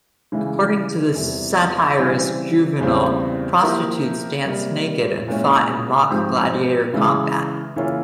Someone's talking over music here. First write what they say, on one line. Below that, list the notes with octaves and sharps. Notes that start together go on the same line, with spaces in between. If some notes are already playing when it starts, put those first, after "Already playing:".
According to the satirist Juvenal, prostitutes danced naked and fought in mock gladiator combat.
C#3 E3 G#3
E2 C3 G3
C#3 E3 G3 C4
E2 C#3 G3 C4
F3 A#3 E4 G4 A#4
C3 G3 A#3
A#2 G#3 C#4 E4
G#2 F3 C4 G4
C#3 E3 G#3
C#3 E3 A#3 C#4 F4